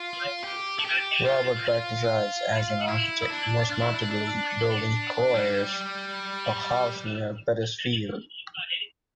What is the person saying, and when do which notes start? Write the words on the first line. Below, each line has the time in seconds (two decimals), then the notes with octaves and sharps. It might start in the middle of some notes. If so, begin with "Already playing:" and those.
Robert practised as an architect, most notably building Collyers, a house near Petersfield.
Already playing: F4
0.44 G4
0.79 A4
0.85 G4
1.26 F4
2.88 E4
3.22 E4
3.30 D4
3.70 D4
3.81 E4
3.94 D4
4.11 D4
5.34 G3